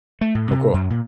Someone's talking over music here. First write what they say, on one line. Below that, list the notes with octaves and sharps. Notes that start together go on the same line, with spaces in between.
Oh, cool.
A3
A2
C3
F#2
A#2